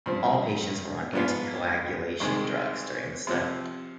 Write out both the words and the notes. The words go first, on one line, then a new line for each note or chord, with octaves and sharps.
All patients were on anticoagulation drugs during the study.
G2 F3 C4
G#2 F3 B3 F4
C2 C3 D#3 G#3
C3 F3 C4